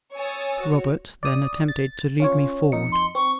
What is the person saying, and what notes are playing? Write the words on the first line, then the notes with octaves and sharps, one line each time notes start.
Robert then attempted to lead me forward.
C#5 G#5 D#6 E6 A6
F#4 C#5
D5 D#6
A6
C#4 F4 C#5
F2 D#4 C#7
C6
C4 C#6